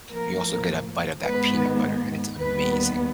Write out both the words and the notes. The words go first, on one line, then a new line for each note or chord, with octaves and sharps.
you also get a bite of that peanut butter, and it's amazing.
A2 F3 A#3 A#4
G#2 D#3 G#3 B3 B4
D#2 D#3 G3 B3 B4